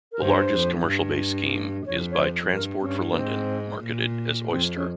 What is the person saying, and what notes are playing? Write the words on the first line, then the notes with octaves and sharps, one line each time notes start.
The largest commercial-based scheme is by Transport for London, marketed as "Oyster".
A#4
G2 C5
F2
G2
F2 C#5
C#5
C5
G2 A#4
C4
G2 C#4
A#3
G#2 C4
A#2
F2 C4
C#4